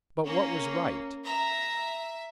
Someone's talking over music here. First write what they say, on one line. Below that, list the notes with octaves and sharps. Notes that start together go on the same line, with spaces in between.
But what was right?
A#3 C#4
E5 A#5